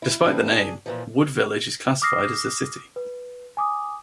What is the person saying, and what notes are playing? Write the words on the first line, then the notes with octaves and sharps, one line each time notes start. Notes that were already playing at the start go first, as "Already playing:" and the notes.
Despite the name, Wood Village is classified as a city.
E4
E3 F3 G3 A3 D4
D4 G#4
A#2 E3 F3
D6 D#6 F6 A#6 C7
B4
G#5 D6 D#6